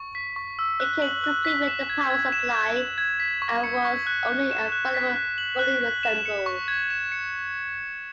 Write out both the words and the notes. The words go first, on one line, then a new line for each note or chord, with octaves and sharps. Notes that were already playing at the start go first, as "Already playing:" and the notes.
It came complete with a power supply, and was only available fully assembled.
Already playing: C#6
B6
C#6
E6
F#6
F#7
F#6
B6
E7
G#6
G#6
E7
G#6
F#7
G#6
B6
C#6
C#7
C#6
F#6
F#6
E7
F#6
B6
F#6
F#7
F#6
B6
E7
C#7
C#6
G#6
E7
C#7